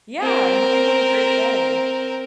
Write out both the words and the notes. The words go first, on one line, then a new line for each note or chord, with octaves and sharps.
Yeah, I hope you have a great day.
C4 A#4